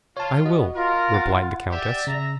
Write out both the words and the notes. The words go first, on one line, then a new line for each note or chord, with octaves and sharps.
"I will," replied the countess.
F4 C#5 A5
B3 F#4 D#5
F4 A#4
F#5 A6
G4 D5 E5
C#3 E5 A#5